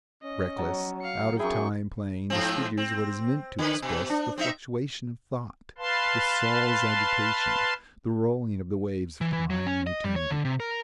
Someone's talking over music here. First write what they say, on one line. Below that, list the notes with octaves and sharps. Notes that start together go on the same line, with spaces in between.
Reckless, out-of-time playing disfigures what is meant to express the fluctuation of thought, the soul's agitation, the rolling of the waves of time and eternity.
C#4 D#5
F#3 A5
F5 C#7
F#2 E4 G#4 G5 C#6
G#2 F3 C4
C4
D3 B4
B2
D4
C4 D#4 E5
B4 F5 A5 C6
E3
E3
F#3
C#4
D#5
G3
C#5
D3
C3
A#4